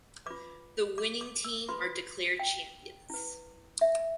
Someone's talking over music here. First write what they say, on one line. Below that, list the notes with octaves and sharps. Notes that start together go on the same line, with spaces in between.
The winning team are declared champions.
F4 B4 D6
D6
D6
E6
F4 B4 C6
G5
E4 B4
E5